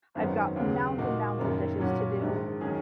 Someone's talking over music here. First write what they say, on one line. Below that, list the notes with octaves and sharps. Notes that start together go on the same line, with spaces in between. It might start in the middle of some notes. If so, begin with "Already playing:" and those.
I've got mounds and mounds of dishes to do
G#1 F#2 D#3 F#3 B3
D#2 C#3 F#3 B3
A#2 A#3 D#4 F#4
F#1 F#2 D#3 A#3
A#2 F#3 C#4 F#4
A#1 G#2 D#3
D#3 F#3 C#4 G#4